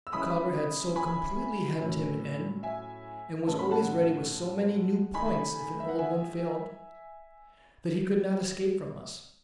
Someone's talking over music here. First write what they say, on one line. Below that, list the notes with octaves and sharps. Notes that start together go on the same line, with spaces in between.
Micawber had so completely hemmed him in, and was always ready with so many new points if an old one failed, that he could not escape from us.
E6
E3 G#3 C#4 E4 B5 D#6
G#5 B5
A2 F#3 C#4
E5 G#5
A2 G#3 C#4 A5
B5
F#5 A5
D#3 A3 D#4 G#5 B5
E5
F#5
E5 G#5